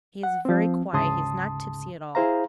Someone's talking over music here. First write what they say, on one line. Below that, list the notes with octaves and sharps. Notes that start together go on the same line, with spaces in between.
He is very quiet--he is not tipsy at all.
F#5
F3 C4
D2 G#2 C#3 A5 C6 D#6
E4 G#4 C5 F5 A#5